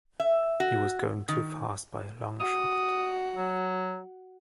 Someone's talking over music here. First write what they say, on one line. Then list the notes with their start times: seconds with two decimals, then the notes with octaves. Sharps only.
He was going too fast by a long shot.
0.20 E5
0.60 F#4
1.28 D#3
2.40 F#4 D#6
3.36 F#3